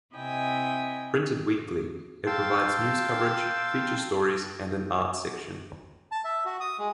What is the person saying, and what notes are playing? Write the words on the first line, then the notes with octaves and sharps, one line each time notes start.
Printed weekly, it provides news coverage, feature stories, and an art section.
C3 E4 D#5 G5 G#5
F5 G5 A5 C6 E6
A5
E5
F#4
D#6
G#3